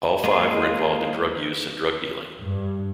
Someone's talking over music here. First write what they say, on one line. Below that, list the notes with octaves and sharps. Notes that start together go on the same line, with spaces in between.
All five were involved in drug use and drug dealing.
G#3 A#3 F4 G#4
G2